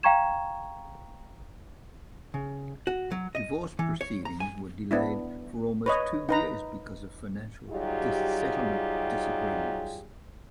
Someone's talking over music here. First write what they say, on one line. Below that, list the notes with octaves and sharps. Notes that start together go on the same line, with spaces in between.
Divorce proceedings were delayed for almost two years because of financial settlement disagreements.
F5 G5 A#5 C#6 G#6 E7
C#3
F#4
F#3
D#5
E3
C#5
A#5
G#5
B3 D4 E4
B4 C#5 D#5
D#4 B4 A#5
F#3 G3 D#4 F4 G4 G#4